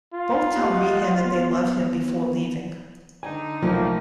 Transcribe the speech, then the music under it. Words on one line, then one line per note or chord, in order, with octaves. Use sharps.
Both tell Rehan that they love him before leaving.
F4
G4 D#5 F#5
B3
D3 D#4 G#5
C2 A2 F3 F#3 A3 A#3